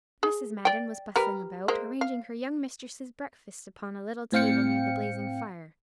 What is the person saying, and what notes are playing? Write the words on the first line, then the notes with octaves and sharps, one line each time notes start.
Mrs. Madden was bustling about, arranging her young mistress's breakfast upon a little table near the blazing fire.
G#4
D5 G5
G3 A#4 B4
G#3 A#3 C5
F5
A2 C4 F5 G5 C#7